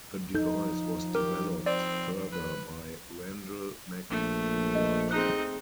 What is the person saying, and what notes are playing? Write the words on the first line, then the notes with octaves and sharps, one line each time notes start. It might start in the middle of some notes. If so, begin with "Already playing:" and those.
The device was developed further by Randall McLeod.
F3 D#4 A4 G6
G4 A#4
C4 D5
B4
A#1 A3
D#5
C4 D#4 G#4 F#6